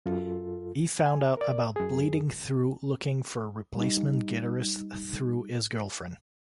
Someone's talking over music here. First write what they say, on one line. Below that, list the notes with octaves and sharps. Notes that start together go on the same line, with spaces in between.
He found out about Bleeding Through looking for a replacement guitarist through his girlfriend.
F#2 F4 A4
G#5
A#4 D5
F#2 G#4
G3 D#4